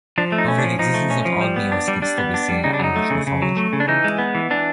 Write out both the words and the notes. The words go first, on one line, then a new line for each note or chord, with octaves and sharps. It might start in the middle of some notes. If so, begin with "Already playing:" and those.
However the existence of Ogmios can still be seen in Irish mythology.
F3 D4
A3
D#4
C#4
D4
F3
F3 D#4
A3
C#4
F3
G3
B3
D4
G3
G3 D4
B3
D4
G3
C#3 D#4
D4
F#3 D#4
A3
C#3
C#3
F#3
A3
C#3
D4
E3 D#4
G#3
B3
E3
E3 D4